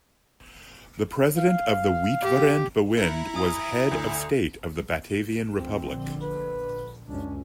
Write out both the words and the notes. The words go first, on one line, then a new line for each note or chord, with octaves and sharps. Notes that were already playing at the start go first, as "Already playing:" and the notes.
The president of the Uitvoerend Bewind was head of state of the Batavian Republic.
F5
G4
E4 A#5 C#7
G#5 D#6 G#6
D2
D2 F3 C4
A#1 D3
B4
C#2 F#2 C#4 D4